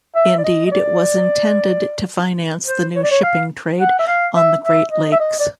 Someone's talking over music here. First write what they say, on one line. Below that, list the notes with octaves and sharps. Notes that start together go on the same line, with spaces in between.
Indeed, it was intended to finance the new shipping trade on the Great Lakes.
E5
D5
D#5
D#5
D5
C5
C#5
D5
C#5
F5
F#5
E5
F5
E5
E5
D#5
E5
D#5
D5